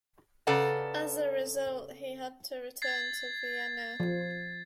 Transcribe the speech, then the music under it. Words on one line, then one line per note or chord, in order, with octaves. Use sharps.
As a result, he had to return to Vienna.
C#3 A4 B4 D5 F#5 A#5
G#6 A6 C7
F3